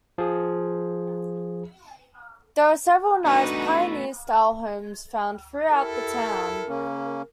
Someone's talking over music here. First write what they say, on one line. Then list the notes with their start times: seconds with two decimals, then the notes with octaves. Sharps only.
There are several nice pioneer style homes found throughout the town.
0.18 F3 G#4
3.25 A3 B3 D4 D#4 F#4 B4
5.71 E4 G4 A4 A#4
6.68 C#3 A#3 C#4